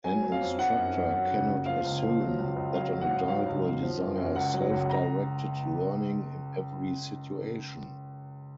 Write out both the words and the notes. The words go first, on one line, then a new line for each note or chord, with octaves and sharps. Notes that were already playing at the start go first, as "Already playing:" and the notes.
An instructor cannot assume that an adult will desire self-directed learning in every situation.
F#3 G#5
F#3
F5
F2
D#3 F#5
F#2
F#2
F#3
C#3
D#2
F3 F5
C#2
F3
F#3
C#2
C#2
F#3 F5
F#3
F#5
G#2
F#3 F5
C#2
F#3
F3
F#2
F#2
C#2 F#5
F#3
C#2
A#5